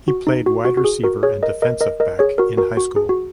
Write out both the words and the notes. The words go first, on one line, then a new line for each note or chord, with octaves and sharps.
He played wide receiver and defensive back in high school.
F#4
D#4
F#4
F#4
F#4
G#4
F#4 A#4
G#4 C#5
A#4 D#5
A#4 D#5
A#4 D#5
A#4 D#5
G#4 C#5
F#4 A#4
F#4 A#4
F#4
G#4
F#4